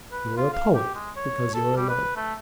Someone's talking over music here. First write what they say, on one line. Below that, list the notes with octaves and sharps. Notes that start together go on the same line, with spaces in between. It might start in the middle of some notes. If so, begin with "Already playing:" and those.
You are a poet because you are low.
B4
F4
F5
G4
G#3
C#5
A4
G3
B4
A3